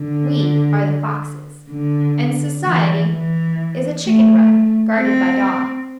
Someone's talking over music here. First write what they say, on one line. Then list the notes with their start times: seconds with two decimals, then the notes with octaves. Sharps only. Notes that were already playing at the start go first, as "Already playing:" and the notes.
We are the foxes, and society--is a chicken-run guarded by dogs.
Already playing: D3
1.70 D3
2.64 E3
3.11 E3
4.04 A3
4.98 C4